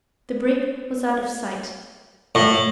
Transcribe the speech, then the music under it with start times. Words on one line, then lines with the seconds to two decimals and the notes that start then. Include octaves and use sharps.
The brig was out of sight.
2.35 A2